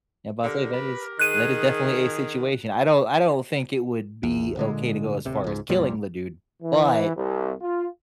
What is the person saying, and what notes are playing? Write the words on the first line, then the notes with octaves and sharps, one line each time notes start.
Yeah, but I say that is that is definitely a situation, I don't I don't think it would be okay to go as far as killing the dude, but
D3 G4 A#4
B4
D#3 G#4 F#6 D#7
A#1 E2
A#2 D3 G#3
D1 C3
C#2 G#2
F#1 F2 A#2 G3
E3
C2
F4